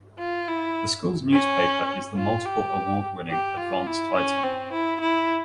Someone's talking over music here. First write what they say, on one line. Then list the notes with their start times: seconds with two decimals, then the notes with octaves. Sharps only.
The school's newspaper is the multiple award winning "Advance-Titan".
0.20 F4
0.48 E4
1.33 C#4
2.17 F4
2.46 G4
3.31 G4
3.59 F4
3.87 E4
4.16 C#4
4.43 C4
4.72 E4
5.00 E4